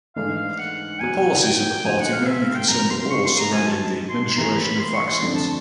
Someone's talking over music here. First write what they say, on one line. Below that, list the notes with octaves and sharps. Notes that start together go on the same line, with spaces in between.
The policies of the party mainly concern the laws surrounding the administration of vaccines.
G#2 E3 A3 D4 F5
F5
F#5
E2 B2 F#3 G#5
G5
G5
G5
D2 D3 F3 G#5
F#5
F5
E5
F5
G5
C2 A#2 F3 A#5
C6
C#6
C6
A#5
G#2 D#3 F#3 A3 G#5
A5
C6
C6
C#2 C#3 E3 G3 A#3 A#5
B5
C6
C#6
C6
F2 D3 F3 A3 D4
A5